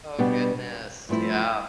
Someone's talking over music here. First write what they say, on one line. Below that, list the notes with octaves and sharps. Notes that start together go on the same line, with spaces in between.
Oh, goodness, yeah.
B2 G3 B3 D4 G4
G2 F3 A3 C4 E4